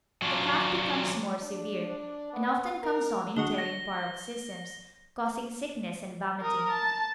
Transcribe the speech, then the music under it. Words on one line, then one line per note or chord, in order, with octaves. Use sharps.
The cough becomes more severe, and often comes on in tearing paroxysms, causing sickness and vomiting.
F#3 C#4 D4 F4
D4
B3
A#4
D3 G#3 F#4 G7
A#6
A#4 D#6
A5